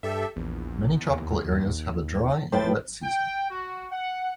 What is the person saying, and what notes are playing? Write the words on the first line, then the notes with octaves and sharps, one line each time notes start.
Many tropical areas have a dry and wet season.
G2 G4 A4 E5
A#1 E2
D#2
A2 B4 C5 G5 A6
G5
F#4
F#5